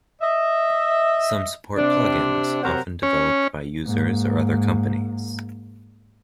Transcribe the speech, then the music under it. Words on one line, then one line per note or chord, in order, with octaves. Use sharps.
Some support plug-ins, often developed by users or other companies.
D#5 E5
C3 D4
C3 F#3 A#4 C5 F#5
C#4
G#2 A#3